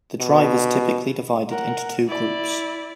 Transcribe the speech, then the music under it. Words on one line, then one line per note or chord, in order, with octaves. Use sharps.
The drivers typically divided into two groups.
B2
A#4 F#5
E4 D5